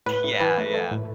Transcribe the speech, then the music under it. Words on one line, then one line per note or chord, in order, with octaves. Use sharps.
Yeah, yeah.
A2 B4
A2
E3 B4
A3
A3
A2